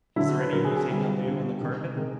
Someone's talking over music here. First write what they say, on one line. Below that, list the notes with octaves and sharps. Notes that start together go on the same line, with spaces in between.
"Is there any thing new on the carpet?"
D3 F#3 E4
F#4
B4
D3 F#3 A#4
G#4
A4
G#4
D3 G3 E4
F4
D3 G3
C3 D#3 G#3
C3 D#3 G#3 A#4